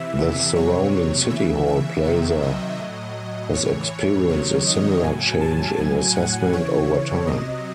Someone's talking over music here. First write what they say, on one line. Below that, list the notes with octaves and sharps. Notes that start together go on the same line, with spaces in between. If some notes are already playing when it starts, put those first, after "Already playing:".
The surrounding City Hall Plaza has experienced a similar change in assessment over time.
Already playing: C3 E3 E5
C3 F#3 C#5
C#3 E3 E5
E5
C3 D#3 F#3 E5
D#5
A2 F#3
A2 E3 C#5
C3 D#3 F#3 C#5
D#5
A2 F#3 G#5
A5
A2 F#3 G#5
F#5
C#3 E3 C#5
C3 F#3 D#5